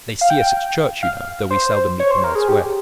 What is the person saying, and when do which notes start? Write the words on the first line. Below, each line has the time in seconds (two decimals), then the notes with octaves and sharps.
They see us at church, you know, though we seldom meet them elsewhere.
0.21 F5
0.30 G5
1.03 F5
1.51 C5
2.00 C#5
2.11 C5
2.24 A#4
2.35 G#4
2.48 G4